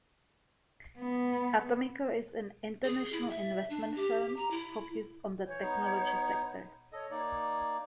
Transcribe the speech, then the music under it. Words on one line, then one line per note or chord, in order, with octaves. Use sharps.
Atomico is an international investment firm focused on the technology sector.
B3
G#4
E4
E5
D4
G4
A#5
E4
E3 C#5 G6 G#6
B3 D#4
A4 C#5 D#5
A#3 D#4 D5
G#6